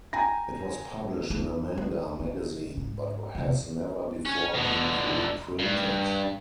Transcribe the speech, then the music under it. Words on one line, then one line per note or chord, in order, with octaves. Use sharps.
It was published in a manga magazine, but has never before been reprinted.
G5 G#5 A#5 A#6
D#4
B3
D4
G#2
F2 C3
C#4
B2 D3
G2